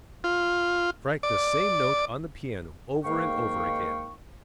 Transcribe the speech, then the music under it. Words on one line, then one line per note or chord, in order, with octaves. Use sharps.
Strike the same note on the piano over and over again.
F4
D5
G#2 D#3 A#3 F5 G5 C#6